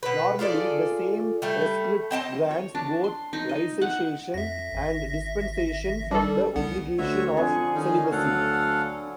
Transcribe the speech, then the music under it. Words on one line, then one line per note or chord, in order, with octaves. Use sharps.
Normally, the same rescript grants both laicization and dispensation from the obligation of celibacy.
B2 B4
F4 G#4 A4 D5
G3 A3
C4 D#5 G5 A5
C#5
D4
C6
D#4
D#5
F#5
F2 E5 A#6
G#1
G3 D4 A4
C2 B3 F#5
D2 F#4 C#5 E5
F2 D3 G#4 C#6
D#3 C#4 D#4
D2 F#3 A4 F5 F#5